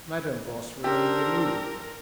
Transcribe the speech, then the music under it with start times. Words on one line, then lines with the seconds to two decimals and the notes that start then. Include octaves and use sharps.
Madame Voss remained immovable.
0.84 D4 G4 A#4 C5 E6